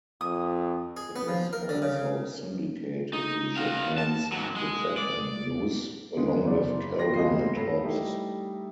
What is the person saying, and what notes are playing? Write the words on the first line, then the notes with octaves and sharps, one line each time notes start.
It is also syndicated to Japan's "The Japan News" along with "Calvin and Hobbes".
F2 D#6
G#4
B3
F3
A#4
D3
C#3
D#4
F#4 F5
A5
G#2 F#3
G#3
D5
D3 D#3 G#3 B3
F#1 D5
B2 G3 A4 C6 A#6
G1 C2 D#5 F5 C7
A1 A4 B5 A#6 C7
G3 A3 D#4 E4